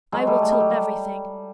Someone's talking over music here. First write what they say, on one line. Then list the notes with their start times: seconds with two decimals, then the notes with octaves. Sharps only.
I will tell everything!
0.12 F#3 G#3
0.27 G3 A3
0.42 G#3
0.52 G3
0.60 F#3
0.70 G3